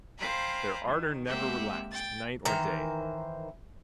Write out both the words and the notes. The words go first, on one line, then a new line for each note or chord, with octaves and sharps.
But their ardor never relaxed, night or day.
C5 F5 G5 G#5 A#5 B5
D#3
G#3 A#3 C4 G4 E5 F#5
G5 A6
D#3 E3 C5 A#5